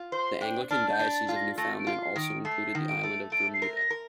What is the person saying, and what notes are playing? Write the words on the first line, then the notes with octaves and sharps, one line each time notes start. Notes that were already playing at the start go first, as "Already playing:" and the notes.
The Anglican diocese of Newfoundland also included the island of Bermuda.
Already playing: F4
C5 C6
D4 G5
D4 F6
G6
D4
A6
F4
A#6
A3 A#6
D7
F4
C7
D#3
D7
A3 C7
D#3
D7
A3
A3 D7
C7
A#4
A#6
A#4